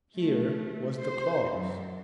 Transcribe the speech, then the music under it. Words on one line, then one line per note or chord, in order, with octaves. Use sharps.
Here was the clause.
A3
C5
F#2